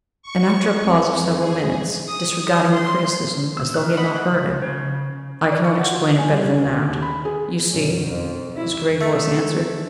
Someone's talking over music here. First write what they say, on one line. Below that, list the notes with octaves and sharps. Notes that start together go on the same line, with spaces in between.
And after a pause of several minutes, disregarding the criticism as though he had not heard it--"I cannot explain it better than that, you see," his grave voice answered.
C#6
F2
G#4
D#6
C6
E6
A3 F6 F#6
D#5 F#5 B5
C#2
C#3
D5
C#6
F#5
F4
G#5
G3
C#4
D2
D3
D#2
B5
G#4
F#2 B2
F2
E4
A3